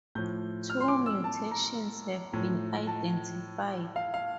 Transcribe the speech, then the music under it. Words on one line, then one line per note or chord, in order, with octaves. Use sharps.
Two mutations have been identified.
A2 F3 G6
F6
C6
D6
E6
A5
A#5
A2 F3
A5
F5
F5